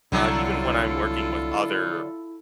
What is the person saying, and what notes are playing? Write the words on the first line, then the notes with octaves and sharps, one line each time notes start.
uh, even when I'm working with other,
C2 D3 F#3 E4 F4 A4